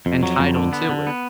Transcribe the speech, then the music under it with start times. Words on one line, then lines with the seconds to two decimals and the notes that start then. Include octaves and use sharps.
entitled to it.
0.06 F2
0.23 F#3
0.39 F2
0.56 D3
0.73 B3
0.89 D3
1.07 B3